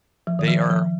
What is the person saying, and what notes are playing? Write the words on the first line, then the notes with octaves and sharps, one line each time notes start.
They are
F3
D#3
F3
F3